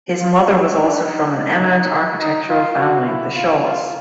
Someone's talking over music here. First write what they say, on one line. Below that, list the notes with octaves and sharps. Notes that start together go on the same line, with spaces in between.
His mother was also from an eminent architectural family, the Shaws.
F4
C#4
D4
D#4
D#4
D#4
F4
F#4
E4
F4
F4